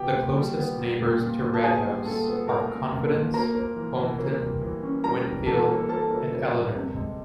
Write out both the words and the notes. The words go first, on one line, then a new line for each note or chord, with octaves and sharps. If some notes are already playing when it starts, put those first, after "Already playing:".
The closest neighbors to Red House are Confidence, Hometown, Winfield, and Eleanor.
Already playing: B3 G4 G5
A#2
G3
B3
G3
A#2
A#2
A#2
A5
B3 G#4 G#5
G3
A#2 A4 A5
B3
A#2 A#4 A#5
A#2
A#2
A#2
A#3 A#4 A#5
A#3
E3
E3
A#3
G3
E3
C#4
G3 A#4 A#5
E3
E3 A4 A5
A#3
A#3 A4 A5
A#3
A#3
G3
C3
G#3